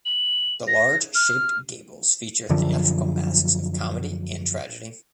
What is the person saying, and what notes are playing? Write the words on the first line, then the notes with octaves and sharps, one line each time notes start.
The large shaped gables feature theatrical masks of comedy and tragedy.
F#7
A#6
F6
F#2 D3 F3